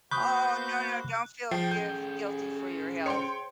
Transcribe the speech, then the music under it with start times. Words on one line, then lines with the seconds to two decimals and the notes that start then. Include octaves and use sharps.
Oh, no no, don't feel giv guilty for your health.
0.11 A#3 F#4 C5 B5 C#6 D#6 F#6 G6
1.51 F3 G#4 G5 C7
1.71 C#4 A4 G6
3.06 C5 C#5 G5 C6 C#7